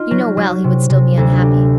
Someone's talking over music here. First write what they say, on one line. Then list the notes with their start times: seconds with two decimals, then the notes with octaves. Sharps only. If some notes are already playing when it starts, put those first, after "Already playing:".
You know well he would still be unhappy.
Already playing: D#4 F4
0.11 F#3
0.37 F#3
0.64 C3
0.90 C3
1.17 D2
1.43 G4